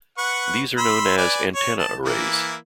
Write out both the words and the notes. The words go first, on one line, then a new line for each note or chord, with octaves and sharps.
These are known as "antenna arrays".
B4 F#5 C#6
B5 C6 E6
B4 D5 G#5
C#5
A5
E3 A#3 E4